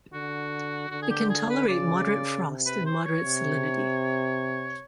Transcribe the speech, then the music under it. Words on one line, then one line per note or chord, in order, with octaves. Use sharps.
It can tolerate moderate frost and moderate salinity.
D3 F#4
D3 F#4
G#4
G4
G#4
B4
C#3 D5
C3
B4
C5
C#5
C3